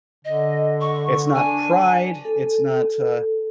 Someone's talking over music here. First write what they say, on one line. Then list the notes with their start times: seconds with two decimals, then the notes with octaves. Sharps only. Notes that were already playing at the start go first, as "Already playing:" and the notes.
it's not pride, it's not, uh
0.25 D3 D#5
0.81 C#6
1.35 D4 G#5
2.25 A4